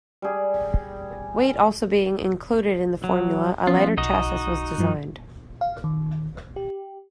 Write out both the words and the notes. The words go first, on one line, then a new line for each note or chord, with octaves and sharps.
Weight also being included in the formula, a lighter chassis was designed.
G3 G#4
F#3
F3 B3 C#4 F4
B1 D#4 F#4 D#5
G2 F3
F5
D#3
G4